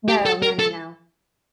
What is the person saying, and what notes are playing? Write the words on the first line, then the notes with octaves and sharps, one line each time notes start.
No. No, no, no.
G4
A4
A#4
A4